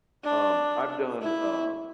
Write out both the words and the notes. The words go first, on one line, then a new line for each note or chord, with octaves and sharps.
Um, I've done, um
D4
E4